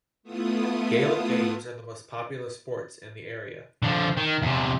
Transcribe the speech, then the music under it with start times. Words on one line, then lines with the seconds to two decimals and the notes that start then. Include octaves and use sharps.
Gaelic games are the most popular sports in the area.
0.23 A3 B3 E4 F4 D#6
3.83 D3 F3
4.17 D#3
4.42 E2 C3